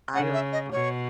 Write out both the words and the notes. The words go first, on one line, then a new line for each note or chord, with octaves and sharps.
I don't
C#3 F#5
E5
D#5
B2 C#5